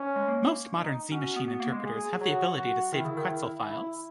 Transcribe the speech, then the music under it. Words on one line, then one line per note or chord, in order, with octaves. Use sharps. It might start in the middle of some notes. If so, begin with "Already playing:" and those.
Most modern Z-machine interpreters have the ability to save Quetzal files.
Already playing: C#4
G#3
A#3
D#4
C#4 F#4
C#4
B3
B3
A#3
G#3
G#4
F#3 F#4
F#4
D#3 E4
C#3
D#3
E4
E4